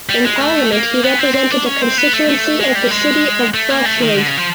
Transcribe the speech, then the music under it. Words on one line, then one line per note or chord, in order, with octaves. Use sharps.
In parliament he represented the constituency of the city of Braunschweig.
G3
G#3
A3
A#3
B3
C4
C4
D4
C#4
C4
B3
A3
A3
G#3
G3
G#3
A3
A#3
A3
D#3
D3
C#3
F3